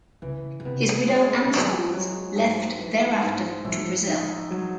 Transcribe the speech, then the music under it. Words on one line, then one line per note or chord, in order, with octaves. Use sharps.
His widow and sons left thereafter to Brazil.
C#3 E3
C#3
C3 B3
B2 G#3
E3 F3
F#3
F3
F#3 G#3
G#2
E3
G#2
A2 F3
D#4
F#3